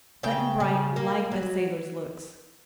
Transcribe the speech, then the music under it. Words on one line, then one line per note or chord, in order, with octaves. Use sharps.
Button-Bright liked the sailor's looks.
C#3 G5
C#3
A#3
F#3